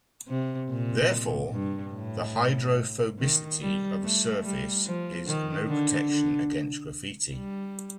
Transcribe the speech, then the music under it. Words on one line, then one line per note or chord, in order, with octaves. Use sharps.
Therefore, the hydrophobicity of a surface is no protection against graffiti.
C3
A#2
G2
A2
D#3
G3
A3
G3
F3
D#3
D3
D3
G3